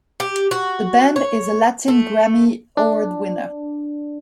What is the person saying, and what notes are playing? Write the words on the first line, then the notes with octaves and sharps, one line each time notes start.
The band is a Latin Grammy Award winner.
G4
F#4
C#5
A3
D4